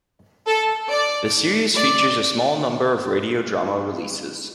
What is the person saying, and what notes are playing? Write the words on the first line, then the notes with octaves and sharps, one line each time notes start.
The series features a small number of radio drama releases.
A4
D5
D5